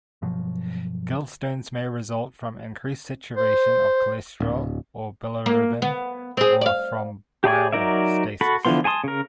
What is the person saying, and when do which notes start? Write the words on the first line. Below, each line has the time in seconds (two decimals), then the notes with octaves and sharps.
Gallstones may result from increased saturation of cholesterol or bilirubin, or from bile stasis.
0.22 G2 B2 F3 F#3
3.37 C5
4.40 D1
5.46 A#3
5.82 B3
6.37 C4 G#4
6.61 D5 F5
7.44 G4 G#4 D5 G#5
7.72 F#3 D#4 A#4 D5 E5
8.41 F#4 A4 B5
8.65 D3 E3 F3 B3 C6
8.84 G#4 G#5 A5 C6 D#6
9.04 C#3 A#4